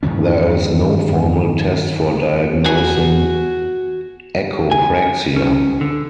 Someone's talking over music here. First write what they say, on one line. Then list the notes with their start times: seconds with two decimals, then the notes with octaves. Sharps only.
There is no formal test for diagnosing echopraxia.
0.03 G2 D#3 F3 C#4
2.65 F#4 G#5
4.71 G#5
5.36 C#4
5.81 D3